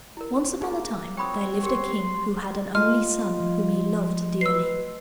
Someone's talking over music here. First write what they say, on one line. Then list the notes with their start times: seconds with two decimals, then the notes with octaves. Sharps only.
Once upon a time there lived a king who had an only son whom he loved dearly.
0.17 E4 A#4
0.61 A#3 D#4 G#4 F5
1.17 C4 F#4 C#5 G5 B5 D#6
1.63 G4 A#4 C6
2.75 A3 F4 D#5 C6 F6
3.40 F3
4.41 B4 E6 C7